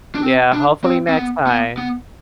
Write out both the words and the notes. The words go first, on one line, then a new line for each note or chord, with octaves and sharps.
Yeah, hopefully next time.
D4
C4
D4
C4
C4
B3
B3
B3